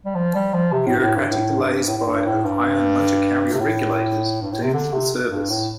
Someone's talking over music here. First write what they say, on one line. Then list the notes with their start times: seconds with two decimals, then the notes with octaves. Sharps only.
Bureaucratic delays by Ohio motor carrier regulators doomed the service.
0.05 G3
0.15 F3
0.35 G3
0.54 F3
0.72 C3
0.87 A2
0.96 G2
1.01 A2
1.16 G2
1.30 A2
1.59 G2
1.87 A2
1.97 A2
2.06 G2
2.26 A2
2.44 G2
3.53 C3
3.60 A2
4.41 G2
4.52 A2
4.63 C3
4.74 D3
4.93 C3
5.31 G2
5.50 A2